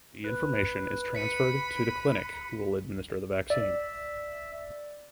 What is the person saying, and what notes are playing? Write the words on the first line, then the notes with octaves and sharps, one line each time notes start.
The information is transferred to the clinic who will administer the vaccine.
B4 F#6
B5 B6 C#7 D#7
D5 E5